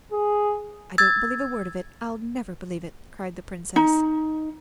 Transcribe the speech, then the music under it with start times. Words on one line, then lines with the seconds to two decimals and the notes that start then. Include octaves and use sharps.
"I don't believe a word of it,--I'll never believe it," cried the Princess.
0.12 G#4
0.98 E6 G#6 A6
3.76 D#4